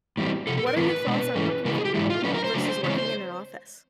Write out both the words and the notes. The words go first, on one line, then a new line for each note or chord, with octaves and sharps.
what are your thoughts on working from home vs. working in an office?
A2 E3 G3 C4
F2 C3 A4
A4
A#4
A2 E3 A3 C4 B4
B2 G#3 B3 D4
G#2 E3 G#3 C#4
C#3 E3 G#3 B3 A#4
G#4
G4
G#2 E3 G#3 E4
F4
D3 F#3 A3 C#4 B4
A#4
C5
C#3 F#3 A3 D4
C#3 E3 G#3 C4 C#5
C5